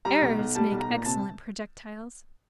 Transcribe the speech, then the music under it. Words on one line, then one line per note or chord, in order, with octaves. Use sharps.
Errors make excellent projectiles.
G3 A#5
B1
B1
G3 A5
B1
A#5
A#2
C3 A5